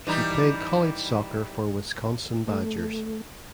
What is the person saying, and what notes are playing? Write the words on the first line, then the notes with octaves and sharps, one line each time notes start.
She played college soccer for the Wisconsin Badgers.
E3 G3 D#4
A3